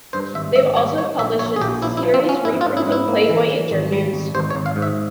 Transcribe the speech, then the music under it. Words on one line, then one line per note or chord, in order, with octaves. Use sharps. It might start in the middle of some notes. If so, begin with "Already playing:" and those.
They have also published a series reprinting "Playboy" interviews.
G2 C5
G#1 E5
G#1 E5
G3 C#5
G3 C#5
A#1 E5
A#1 C#5
G#4
A#1 G4
F3 E4
E4
F3
C4
F3
C#4
G#2 E4
F4
G#2
E4
G#2
E4
A#3
E3
E3
G#1
G3
G#1
G#1 C5
C#5
G#1
F5
G#2
E5